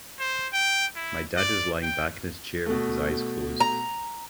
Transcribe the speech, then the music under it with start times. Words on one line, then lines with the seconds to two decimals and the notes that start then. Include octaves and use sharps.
My dad is lying back in his chair with his eyes closed.
0.19 C5
0.53 G5
0.96 E4
1.37 D5
1.82 G5
2.66 B2 A3
3.60 A#5